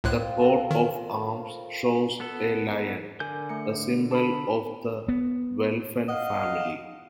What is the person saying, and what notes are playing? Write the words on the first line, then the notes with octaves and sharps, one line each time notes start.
The coat of arms show a Lion, the symbol of the Welfen family.
C#2 A2 C4 F4 F#6
C4 A4 A#4
D#3
B3 A4
D3 A#4 G#5 G6
A3 C#7
A5 B5
B3
D#5 F5 F#5